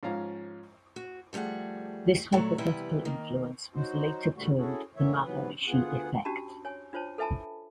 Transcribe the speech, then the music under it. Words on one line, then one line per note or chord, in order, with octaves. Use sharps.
This hypothetical influence was later termed the Maharishi Effect.
G#2 F3 C#4 F5 A#5
F#4
F3 G3 A3 G#4 F#5
A#2 F#3 A3 F#4
C3 E3 G3 B3 E4 B4
D#3 A#3
F#3 D#4 F#4 C5
D2 A#2 D3 G3 A3 F#4
C#4 E4 F#4 G#4 A4
A2 D3 E3 A#3 C#5 E5
G#2 C3 E3 F#3 B3 B4
D2 B3 F4 G#4 F#5
C#4 D4 F#4 G4 A5 B5
C#5 G#5
D4 F4 C5 C#5 A5
A4 B4 E5 G#5 A5 B5